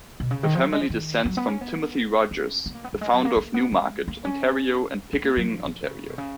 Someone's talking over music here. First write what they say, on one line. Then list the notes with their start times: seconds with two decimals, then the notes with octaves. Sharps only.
The family descends from Timothy Rogers, the founder of Newmarket, Ontario and Pickering, Ontario.
0.20 B2
0.31 C#3
0.43 D#3
0.55 F3
0.63 F#3
0.72 G#3
0.81 F3
0.90 D#3
1.25 F#3
1.37 B3
1.48 C#4
1.61 B3
2.31 C#4
2.66 B3
2.75 A#3
2.84 B3
2.93 F#3
3.01 G#3
3.13 F#3
3.25 A#3
3.36 A#3
3.54 B3
3.72 G#3
4.08 A#3
4.25 C#4
5.13 B3
5.24 A#3
5.37 F#3
5.47 F3
5.66 F3
5.83 C#3
6.09 B2
6.18 C#3